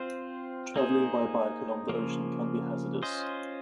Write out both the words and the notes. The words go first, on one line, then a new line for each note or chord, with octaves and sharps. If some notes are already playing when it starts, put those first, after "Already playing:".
Traveling by bike along the ocean can be hazardous.
Already playing: C4 F4 C5
A#3 D#4 G#4 C5
C#3 F3 A#3
C#4 F4 C5 D#5